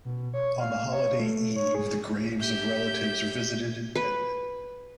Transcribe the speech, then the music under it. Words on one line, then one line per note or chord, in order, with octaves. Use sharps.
On the holiday eve the graves of relatives are visited and tended.
B2
C#5
F5
C#5
A3
C#5
G#4
G4 E5 G6
B4